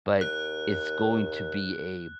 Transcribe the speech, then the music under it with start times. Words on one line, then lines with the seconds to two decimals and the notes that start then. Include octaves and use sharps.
But, it's going to be a
0.21 D#2 F#6